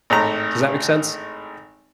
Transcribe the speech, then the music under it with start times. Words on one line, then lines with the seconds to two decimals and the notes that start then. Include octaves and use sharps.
Does that make sense?
0.10 G#1 A2 A#5